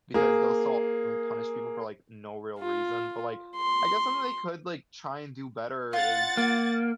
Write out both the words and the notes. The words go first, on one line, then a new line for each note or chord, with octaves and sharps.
because they'll so often punish people for, like, no real reason, but like, I guess something they could, like, try and do better is
A#3 G#4
F4
C6
F4 F#5 A6
A#3